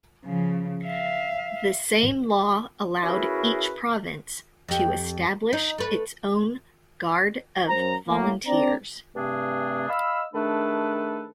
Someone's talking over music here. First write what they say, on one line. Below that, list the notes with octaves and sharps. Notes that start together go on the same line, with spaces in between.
The same law allowed each province to establish its own "Guard of Volunteers".
C#3 F3
E5 F5
C#4 E4 F#4 G#4 A#4 B4
F2 G4
D#4
A3 B4
F#2 C5 A#5
A2 A#3
C4 D4 D5 A#5
G2 C3 A3 C4 D4 G#4
D#5 F5 B5 E6
D#3 A3 D4 G#4 A4 B4